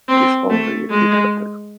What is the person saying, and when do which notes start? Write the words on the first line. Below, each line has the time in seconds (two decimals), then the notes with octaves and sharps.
If only it hit better.
0.08 C4
0.50 A3
0.90 G#3